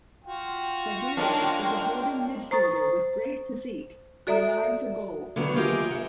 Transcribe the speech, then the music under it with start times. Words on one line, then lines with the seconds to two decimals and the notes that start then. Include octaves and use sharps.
Bagheri is a holding midfielder with great physique and an eye for goal.
0.24 F4 F#4 G5
1.17 G#3 A#3 C#4 D4
2.51 C5 A#5 C#6 D#6 A6
4.27 F#4 A4 D5 E5 A#5 D#6
5.36 D3 D#3 F#3 B3
5.56 F4 G4 G#4 A#4 D#5 E5
5.91 E5 F#5